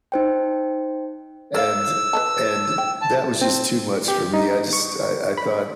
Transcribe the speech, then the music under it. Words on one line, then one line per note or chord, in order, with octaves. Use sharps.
and and that was just too much for me, I just I I thought
D#4 C5 G5
A#4 D5 F5 E6
B4 D#5 A5
G5
A5
C4
G4
D#4
C#6
B5